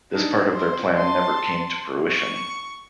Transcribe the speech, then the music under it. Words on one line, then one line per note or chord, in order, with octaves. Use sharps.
This part of their plan never came to fruition.
D4 D#4
C5
A5 C6
C#6